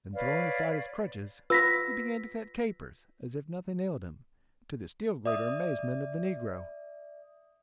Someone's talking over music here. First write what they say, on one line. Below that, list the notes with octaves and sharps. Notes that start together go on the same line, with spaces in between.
Then throwing aside his crutches, he began to cut capers, as if nothing ailed him, to the still greater amazement of the negro.
B4 C#5 D5 F5
F4 B4 E6 A#6 B6
D5 E5 D#6